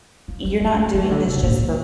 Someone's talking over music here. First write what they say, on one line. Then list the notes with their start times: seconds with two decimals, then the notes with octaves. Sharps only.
"You're not doing this just for
0.28 F3
0.45 G3
0.61 A3
0.78 A3
0.94 F3
1.03 E3
1.10 D3
1.27 C3
1.37 C3
1.43 A#2